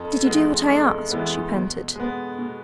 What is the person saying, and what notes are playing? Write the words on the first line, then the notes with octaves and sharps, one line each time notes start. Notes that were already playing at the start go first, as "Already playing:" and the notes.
"Did you do what I asked?" she panted.
Already playing: F2
E3 G#3 B3
F2
E3 G#3 B3
B2
G#3 B3
B2